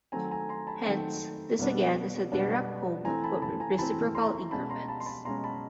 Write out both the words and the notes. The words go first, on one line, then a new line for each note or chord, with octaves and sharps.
Hence, this again is a Dirac comb but with reciprocal increments.
D#3 F#3 A3 C4 G#5 A#5
G#5 A#5
A#5 C6
A5 B5
D#3 F#3 A3 C4 G5 A5
B2 G3 B3 D4
B2 G3 B3 D4
E3 A3 C4 G#5 A#5
A5 B5
A5 B5
G#5 A#5
E3 A3 C4 A5 B5
A#5 C6
B2 G#3 C#4 A5 B5
A#5 C6
A5 B5
C6
A5 B5
B2 G#3 C#4 A#5 C6
A5 B5